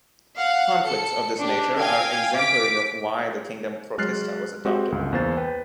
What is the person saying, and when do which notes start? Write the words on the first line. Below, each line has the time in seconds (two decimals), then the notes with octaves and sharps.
Conflicts of this nature are exemplary of why the kingdom Protista was adopted.
0.36 F5 F#5
0.84 A4 C#7
1.38 D4 G4
1.77 F5 G5 G#5 G#6
2.35 D6 B6 D7
3.98 F#3 G#3 F6 F#6 A6 C7
4.65 G#3 C4 F#4 G4
4.92 G1 C#2
5.13 E2 A#3 C5 F5 A6
5.37 B4 G5